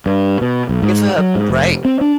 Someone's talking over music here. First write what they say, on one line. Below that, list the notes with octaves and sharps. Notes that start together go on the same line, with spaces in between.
Give her a break!
G2
B2
B1
G#2
F#3
G#2
F1
C4
D4